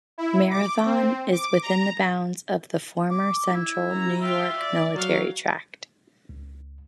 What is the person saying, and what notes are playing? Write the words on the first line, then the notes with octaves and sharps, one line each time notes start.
Marathon is within the bounds of the former Central New York Military Tract.
E4
D6
C4
D6
A#5
D6
E4
F#4 A#5
F4 E5 G5
D5
F#3 F5
C#2